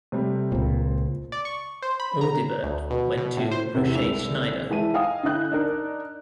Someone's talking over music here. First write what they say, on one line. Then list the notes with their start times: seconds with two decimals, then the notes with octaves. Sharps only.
Audibert went to Rochet-Schneider.
0.12 C3 G3 A3
0.52 C#2 A#2 C4
1.32 D5
1.45 C#6
1.82 C5
2.00 B5
2.21 A#5
2.63 D2
2.90 B2
3.17 B2
3.37 A2
3.51 C5
3.75 E2 C3
3.95 C2 G#3 D4 E6 F7
4.70 E3 G#3 E5 A5 D#7
4.94 D#5 F5 G5 G#5 D#6
5.23 D3 E4 D#5 F#6 G6
5.52 D4 D#4 A#4